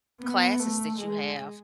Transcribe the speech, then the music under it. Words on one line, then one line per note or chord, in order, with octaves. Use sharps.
classes that you have."
B3
A3
G#3